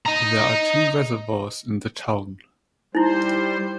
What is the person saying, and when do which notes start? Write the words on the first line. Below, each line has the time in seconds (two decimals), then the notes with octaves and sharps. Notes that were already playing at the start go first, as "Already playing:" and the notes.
There are two reservoirs in the town.
0.06 D#5 A#5
2.95 G3 D#4 E4 C5